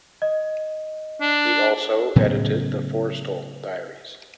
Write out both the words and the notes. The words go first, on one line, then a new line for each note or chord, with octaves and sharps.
He also edited "The Forrestal Diaries".
D#5
D4
A2 C#3 F#3 B3